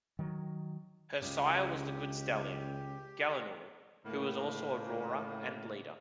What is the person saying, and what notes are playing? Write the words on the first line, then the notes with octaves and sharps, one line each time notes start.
Her sire was the good stallion, Gallinule who was also a roarer and bleeder.
D#3 F#3
C#2 C#3 G#3 G4
A2 C#3 A#3